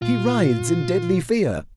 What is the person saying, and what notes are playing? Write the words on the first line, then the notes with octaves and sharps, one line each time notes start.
He writhes in deadly fear.
A#2 F4